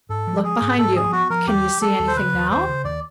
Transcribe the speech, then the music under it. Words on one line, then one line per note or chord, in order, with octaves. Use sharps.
'Look behind you! can you see anything now?'
G#2 A4
F3
G#3 G#4
G#2
G#2 A4
F3 G#4
B3 F#4
F3 A#4
D#2 G4
F#3
F#3 A4
D#2
C5
C#3 B4
D#2
D#2 C5
C#3
D#2 D5